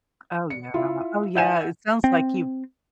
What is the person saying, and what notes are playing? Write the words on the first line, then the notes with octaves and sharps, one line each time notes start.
Oh, no, uh, oh, yeah, it sounds like you
C#7
E4 F4 E5
E4 D5 F#5 G#5 G6 E7
C4